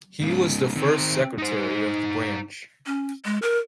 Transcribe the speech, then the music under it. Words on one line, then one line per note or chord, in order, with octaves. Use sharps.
He was the first Secretary of the branch.
G#2 C#3
D#3 C4
D#4 C5
C#4
G#3
A#4